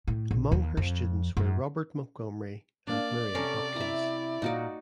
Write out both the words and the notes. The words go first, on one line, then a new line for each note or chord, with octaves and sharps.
Among her students were Robert Montgomery and Miriam Hopkins.
A2
A#1
D#2
F2
F#2
A#3 D4 D5
C3 C#4 A4 A#4 F5
E4 E5 A#5
A#2 D#4 F#4 D5